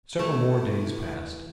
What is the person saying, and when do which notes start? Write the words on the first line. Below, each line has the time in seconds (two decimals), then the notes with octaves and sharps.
Several more days passed.
0.19 C3 E3 A3 E4 A4